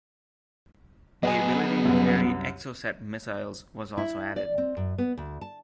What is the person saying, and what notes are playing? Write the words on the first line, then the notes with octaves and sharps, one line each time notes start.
The ability to carry Exocet missiles was also added.
F#3 B3 G#4 D#5 G#5
C2 F#2
E4
D5
C4
F#2
B3
D2
A5